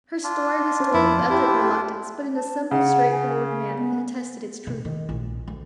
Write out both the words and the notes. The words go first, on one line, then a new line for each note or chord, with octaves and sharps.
Her story was told with evident reluctance, but in a simple, straightforward manner, that attested its truthfulness.
D4 F4
C#4 C5
F2 E4
E4 G4
A5
C#3 F#5
G#5
G#5
B3
C3
D#3
A#1
D2